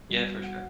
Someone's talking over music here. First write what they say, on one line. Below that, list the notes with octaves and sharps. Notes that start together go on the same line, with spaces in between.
Yeah, for sure.
G3 B3 F#4
F#4
F#5